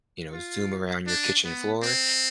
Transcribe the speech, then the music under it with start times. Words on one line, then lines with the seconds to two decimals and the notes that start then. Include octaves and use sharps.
you know, zoom around your kitchen floor.
0.32 F4
1.07 D4
1.45 B3
1.82 C4